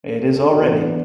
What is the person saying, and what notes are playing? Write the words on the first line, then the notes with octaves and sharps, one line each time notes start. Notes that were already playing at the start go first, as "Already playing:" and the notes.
It is already.
A4
A4
D4
F#4
B3
E3
E3 B3